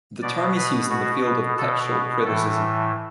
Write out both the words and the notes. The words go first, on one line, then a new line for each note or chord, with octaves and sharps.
The term is used in the field of textual criticism.
B2 D5
B4
B2 F#4
B2 A4
A2 E3 A4